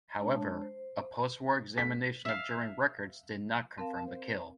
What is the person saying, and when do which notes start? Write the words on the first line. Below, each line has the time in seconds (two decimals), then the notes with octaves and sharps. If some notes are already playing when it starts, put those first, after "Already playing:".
However, a post-war examination of German records did not confirm the kill.
0.19 G#3 D4 C#5 A5
0.62 C5
1.78 B6
2.25 E5 F5
3.78 C4 A#4 F5 A5
3.94 A5
4.07 C5